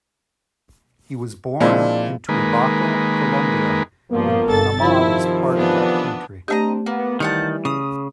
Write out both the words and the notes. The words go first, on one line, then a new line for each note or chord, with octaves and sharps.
He was born in Turbaco, Colombia, when Panama was part of that country.
A#2 F3 G#3 C4 D4 E4
D#3 G#3 A#3 B4
G2 F3 A#3 B3
G1 A4 A6
C3 D#3 F3 E4
E3 B3 D4
A3 C4 D4 G4 D#5 E5 A#5
A#3 B3
D#3 E3 G3 C5 F#5 A5
C#3 D#6